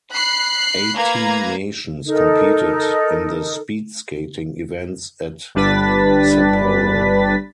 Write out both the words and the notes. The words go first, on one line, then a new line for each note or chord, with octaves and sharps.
Eighteen nations competed in the speed skating events at Sapporo.
B5 F#6 C7
A#3 B4 A#5 G#6
D#4 A4 A#4
G1 G3 D4 B4 A6 B6